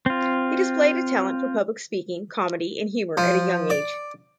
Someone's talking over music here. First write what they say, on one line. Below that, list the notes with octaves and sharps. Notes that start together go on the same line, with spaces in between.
He displayed a talent for public speaking, comedy, and humor at a young age.
C4 F4
F3
D5